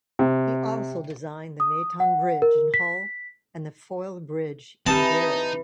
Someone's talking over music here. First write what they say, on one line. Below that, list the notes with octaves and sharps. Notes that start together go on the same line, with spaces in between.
He also designed the Myton bridge in Hull and the Foyle Bridge in Derry.
C3
D#6
F#5
A#4
B6
E3 C4 D#4 G4 A5